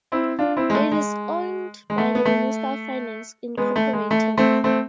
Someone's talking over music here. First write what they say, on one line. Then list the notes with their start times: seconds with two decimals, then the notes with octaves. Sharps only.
It is owned by the Minister of Finance Incorporated.
0.12 C4 E4
0.39 D4 F4
0.57 C4 E4
0.70 G#3
0.74 A3
0.92 G#3
1.90 G#3
1.98 A3
2.15 B3
2.25 A3
3.57 G#3 B3
3.76 A3
3.93 G#3
4.11 A3
4.38 A3 C4
4.64 A3 C4